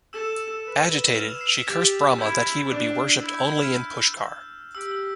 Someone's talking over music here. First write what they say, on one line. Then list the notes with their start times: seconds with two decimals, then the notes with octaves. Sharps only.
Agitated, she cursed Brahma that he would be worshipped only in Pushkar.
0.13 A4 E6 E7
0.65 B4
1.15 F6 F7
1.28 E6 E7
1.41 C7
1.54 B6
1.67 G4 A6
2.18 E4 G6
2.69 D4
3.21 E4 E6
3.34 G6
3.46 G6
3.59 F6
3.72 G6
4.75 G4 E6
4.91 E6